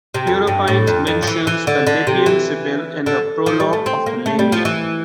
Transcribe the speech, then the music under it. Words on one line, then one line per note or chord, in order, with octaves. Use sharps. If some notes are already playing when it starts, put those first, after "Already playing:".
Euripides mentions the Libyan Sibyl in the prologue of the "Lamia".
C3
F2
G2
A2
F2
F2
F3
E3
E3
D3
D3
C3
E3
D3
F3
G3
A3
C4
A#3
A3
G3
F3
E3